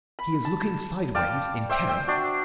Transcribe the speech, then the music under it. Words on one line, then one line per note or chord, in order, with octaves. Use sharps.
He is looking sideways in terror.
B5
A5
D5 F5 G5 A5
C5 E5 G5
G5 E6
D4 F#4